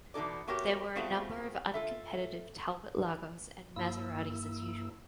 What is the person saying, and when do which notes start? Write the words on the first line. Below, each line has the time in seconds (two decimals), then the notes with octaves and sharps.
There were a number of uncompetitive Talbot-Lagos and Maseratis as usual.
0.14 E2 B2 D#4 A4 D5
0.48 A3 B3 F#4 G4 A#4 C#5
0.95 A3 B3 C4 F4 F#4 G#4
1.74 F4 A4 E5
3.76 G2 A#3 E4 E6